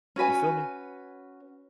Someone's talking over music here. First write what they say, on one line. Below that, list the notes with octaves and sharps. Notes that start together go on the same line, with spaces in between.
You feel me?
C#4 F#4 B4 G#5